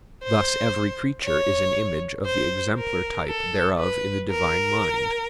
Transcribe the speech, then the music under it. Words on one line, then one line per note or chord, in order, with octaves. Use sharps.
Thus every creature is an image of the exemplar type thereof in the Divine mind.
C5
C#5
C5
A#4
A4
B4
A#4